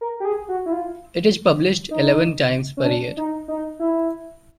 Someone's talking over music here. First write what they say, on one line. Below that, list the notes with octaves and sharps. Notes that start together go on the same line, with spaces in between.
It is published eleven times per year.
A#4
G4
G#4
F#4
E4
F4
D#4
C#4
D4
D#4
D#4
E4